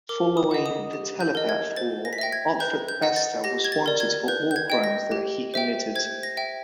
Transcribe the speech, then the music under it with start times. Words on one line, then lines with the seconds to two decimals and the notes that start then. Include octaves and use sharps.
Following the Telepath War, Alfred Bester was wanted for war crimes that he committed.
0.09 A#4 D6
0.37 D#6
0.51 D#5 F#5
0.66 D#6
0.93 G4
1.20 G6
1.35 A#4 D#5
1.49 G#6
1.76 C5 A6
2.05 A#6
2.13 B6
2.18 E5 G5 A#6
2.32 G#6
2.60 B4 G6
2.89 G6
3.02 D#5 F#5
3.16 A6
3.44 G4 A#6
3.64 G#6
3.72 A6
3.86 A#4 D5
4.00 G#6
4.28 B4 G6
4.51 G6
4.56 G#6
4.70 D#5 G5
4.84 A#6
5.12 G4
5.54 C5 E5 G5
5.95 C5 G#6
6.23 A#6
6.37 E5 G5